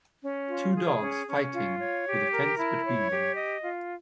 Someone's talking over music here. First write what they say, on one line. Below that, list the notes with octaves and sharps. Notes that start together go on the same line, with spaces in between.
Two dogs fighting with a fence between them.
C#4
F4
G#4
C#4
C#4
F4
C#5
G4
A#4
E4
C#5
G4
D#5
F4